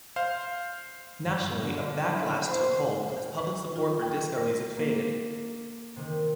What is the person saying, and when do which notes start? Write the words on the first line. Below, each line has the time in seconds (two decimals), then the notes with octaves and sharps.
Nationally, a "backlash" took hold, as public support for disco music faded.
0.16 C5 F5
1.24 G2
1.62 D3
2.10 E4
2.45 C5
3.09 C5
3.38 B4
3.76 F4
4.02 G5
4.38 A#4
4.76 A#3
5.96 C3 D#3